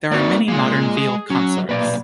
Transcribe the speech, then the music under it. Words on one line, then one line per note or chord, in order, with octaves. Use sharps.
There are many modern viol consorts.
A#3 C4 D#4 F#4 D5
G#3 A#3 F4
G#4
F#3 C#4
B1 A#2 B4 D5